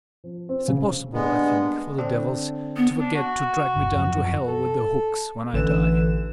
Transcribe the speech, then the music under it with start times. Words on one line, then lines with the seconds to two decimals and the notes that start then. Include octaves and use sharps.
It's impossible, I think, for the devils to forget to drag me down to hell with their hooks when I die.
0.24 F3
0.49 C4
0.68 C#3
1.14 G2 G#3 A#3 B3 D4
1.98 D3 C4 D4
2.77 B3
2.99 D4
3.14 F#4
3.76 D1 G1
3.94 F#2 F3
4.47 A4
5.53 A1 D3 E3 E7